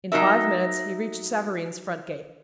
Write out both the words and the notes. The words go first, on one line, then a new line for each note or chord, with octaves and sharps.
In five minutes he reached Savareen's front gate.
F#3 D#4 A#4 E5